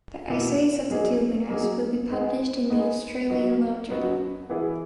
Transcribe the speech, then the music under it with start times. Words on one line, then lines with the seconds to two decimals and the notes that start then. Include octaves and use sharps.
The essays of the two winners will be published in the Australian Law Journal.
0.30 B2 A#3 E4
0.90 F#3 A#3 D#4 G#4
1.50 F#3 A#3 D#4 G#4
2.10 G#3 B3 D#4
2.70 G#3 B3 D#4
3.30 F#3 B3 D#4 F#4
3.90 F#3 B3 D#4 F#4
4.50 E3 B3 E4 G#4